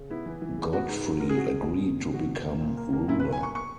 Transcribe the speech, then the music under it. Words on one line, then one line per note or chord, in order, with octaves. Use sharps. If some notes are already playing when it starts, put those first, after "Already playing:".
Godfrey agreed to become ruler.
Already playing: C#3
B3 E4
E3
E3
C#3
B3 F#4
G#2
F#3
G#2 A#4
G#4
F#3 F#4
G#2 G#4
B2
B2
B2
B2 F#4
B2
A#3
A#2
A#3
A#3
A#2 E4
B4
A#3
G#5
A#3 C#6
C#6